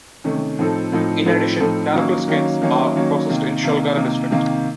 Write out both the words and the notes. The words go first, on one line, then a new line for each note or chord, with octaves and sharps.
In addition karakul skins are processed in Sholgara District.
C3 D#3 A3 C#4
A2 F3 C4 D#4 A4
A2 F3 C4 D#4 A4
A2 F3 C4 D#4 A4
A2 F3 C4 D#4 A4
D#3 F#3 A#3 C#4
D#3 F#3 A#3 C#4
D#3 F#3 A#3 C#4
D#3 F#3 A#3 C#4
C3 D#3 A#3
C3 D#3 A#3
C3 D#3 A#3
C3 D#3 A#3